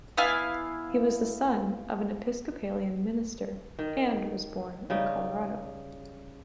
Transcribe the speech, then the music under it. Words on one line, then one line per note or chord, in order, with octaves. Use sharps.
He was the son of an Episcopalian minister, and was born in Colorado.
B3 E4 F5 G#5
D#3
C#3 G3 D#4